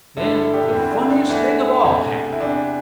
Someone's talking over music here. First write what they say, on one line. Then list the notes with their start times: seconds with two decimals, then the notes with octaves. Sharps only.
Then the funniest thing of all happened.
0.17 G2 D3 A3 E4 A4
0.35 E4 A4
0.54 D4 G4
0.73 E2 D3 G3 C4 E4
0.91 D4
1.10 D4
1.29 E2 E3 A3
1.84 E2 C3 A3
2.32 E4
2.40 E2 C3 E3 D4